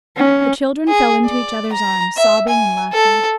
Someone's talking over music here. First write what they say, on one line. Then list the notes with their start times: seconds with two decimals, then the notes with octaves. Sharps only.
The children fell into each other's arms, sobbing and laughing.
0.16 C#4
0.88 G#4
1.26 D5
1.72 A#5
2.16 E5
2.49 G#5
2.92 A4